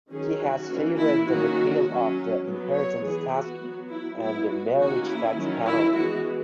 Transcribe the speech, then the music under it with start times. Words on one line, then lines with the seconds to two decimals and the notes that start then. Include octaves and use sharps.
He has favored the repeal of the inheritance tax and the "marriage tax penalty".
0.10 D#3 F#3 C#4 G#4
0.39 F#4
0.69 E3 A#3 C#4
0.98 E4
1.27 D#3 F#3 A#3 C#4 F#4
1.86 F#3 C#4
2.44 F#3 B3
2.72 C#5
3.01 E3 B3 G#4
3.32 F#4
3.60 F#3 B3
3.89 E4
4.19 F#3 B3 E4
4.48 F#4
4.77 D#3 A#3 C#4 F#4
5.07 E4
5.36 D#3 F#3 C#4
5.65 E4
5.94 E3 G#3 B3 F#4